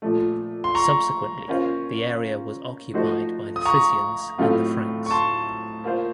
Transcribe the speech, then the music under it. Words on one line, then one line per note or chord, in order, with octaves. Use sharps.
Subsequently, the area was occupied by the Frisians and the Franks.
A#2 F3 A3
C6
A#5 C#6
A#3 C#4 F4 C5
F3 A3 D#4 F#4 C5
D#6
A#5 C#6
A2 F#3 A3 C4 F4
C#6
A5 C6
A#3 F4 C5